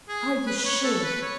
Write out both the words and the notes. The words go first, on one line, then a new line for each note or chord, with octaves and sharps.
Are you sure?
G#4
B4
B4
C#5
A4
B4
C#5